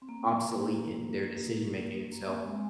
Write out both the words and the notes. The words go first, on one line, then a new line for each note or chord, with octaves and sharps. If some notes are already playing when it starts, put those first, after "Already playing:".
obsolete in their decision making and so,
C4
A#3
A#3
C4
G#3